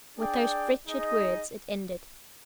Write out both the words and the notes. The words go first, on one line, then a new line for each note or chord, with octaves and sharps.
With those wretched words it ended.
D4 G#4 D5 G5
D#4 G#4 D#5